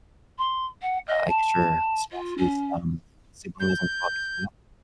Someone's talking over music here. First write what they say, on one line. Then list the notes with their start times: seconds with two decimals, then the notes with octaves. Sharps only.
uh I guess your spouse's, um, sibling doesn't talk as well,
0.38 C6
0.82 F#5
1.08 D#5
1.28 A5
2.12 F4
2.38 C#4
3.60 G6